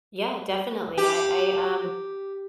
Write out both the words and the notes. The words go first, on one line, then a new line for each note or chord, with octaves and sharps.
Yeah. Definitely. I I, um,
G4